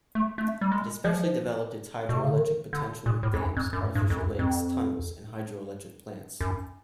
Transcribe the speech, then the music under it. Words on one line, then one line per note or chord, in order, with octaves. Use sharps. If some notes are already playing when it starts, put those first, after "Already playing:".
It especially developed its hydroelectric potential with dams, artificial lakes, tunnels, and hydroelectric plants.
A3
A3
G3
G#3
F3
B2
C3
C#3
D3
D#3
D3
A#2
A2
F2
F#2
F2
F#2
G2
F2
F#2
F2
F#2